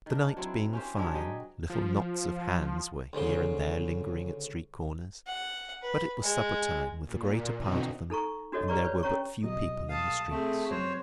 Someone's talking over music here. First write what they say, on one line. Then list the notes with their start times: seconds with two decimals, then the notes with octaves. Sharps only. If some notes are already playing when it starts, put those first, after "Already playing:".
The night being fine, little knots of Hands were here and there lingering at street corners; but it was supper-time with the greater part of them, and there were but few people in the streets.
0.06 D#3 D4
0.37 F#3 C4 E4
0.73 C#4 G4 C5
0.97 D3 F#3 G#3 D4
1.15 F#3 G4 G#4 D#5
1.70 F3
3.13 D2 G#2 C#3 C6
5.27 F#5
5.83 B4
6.22 G#3
7.04 A#2
7.54 B2 D3 E3 C4 D#4 F#4
8.10 D#4 A4 A#5 C#6
8.52 D4 F#4 A4 C#5 D#5
8.68 G4 B4 D5 A#5 C#6
8.85 B4 C#5
9.03 C#4 C#5 A#5 C#6
9.44 C2 B2 F#3 D#5
9.89 F5 A5 D#6
10.30 A3 C4 G#4
10.71 F1 F#2 F#3 F#4 C5 C#5